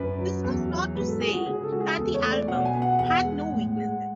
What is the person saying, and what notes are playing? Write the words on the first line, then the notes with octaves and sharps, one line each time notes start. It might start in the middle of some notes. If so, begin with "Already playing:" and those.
This was not to say that the album had no weaknesses.
Already playing: F#2 B4
F#3
E2
F#3
G#2 B4
A4
G#3 G#4
F#4
C#3 G#4
A4
G#3 F#4
G#4
E2 A4
C#5
A3
D5
B2 F#5
G#5
B3
F#5
E2 F#5
G#3
A2
G#3